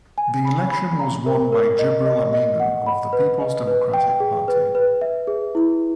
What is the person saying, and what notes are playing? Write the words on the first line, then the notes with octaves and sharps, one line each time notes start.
The election was won by Jibril Aminu of the Peoples Democratic Party.
G#5
B5
B5
A#5
A#4
A#4
D#5
D#5
D#5
F#5
B5
B4
D#5
B4
G5
G#4
B4
B4
E5
G#4
E4